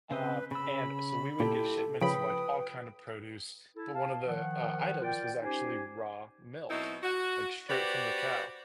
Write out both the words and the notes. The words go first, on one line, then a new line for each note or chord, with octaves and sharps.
uh, and so we would get shipments of, like, all kinds of produce, but one of the, uh, items was actually raw milk, like, straight from the cow.
C#3 C4 B4 D#5
C#3 B5 E6
A#2 E4 F4 G4 A4
C#3 F3 B4 G5 B5 D#6
E4 A4
F5 A5
D#3 F3 F#5
F4 A#4 D5 G5
C#4 D#4 G4 C5 G#5
B2 F#3 C4 D#4 E4
F#4
B3 F#4 G4 B4 C5 D5